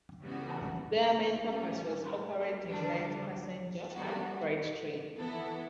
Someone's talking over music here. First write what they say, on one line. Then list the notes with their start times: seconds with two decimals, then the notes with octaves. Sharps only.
Their main purpose was operating light passenger and freight trains.
0.22 C#3 E3 G3 B3 F#4
1.47 A2 G3 C#4
2.70 D3 G3 D4
3.94 G3 B3 F#4
5.17 E3 B3 E4 A4